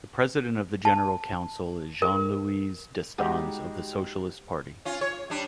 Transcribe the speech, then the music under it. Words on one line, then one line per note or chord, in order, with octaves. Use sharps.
The President of the General Council is Jean-Louis Destans of the Socialist Party.
A5
A#4
G3 G#3 D#4 F#4 G4 F#5
C#4 F4
C#5
G3 D4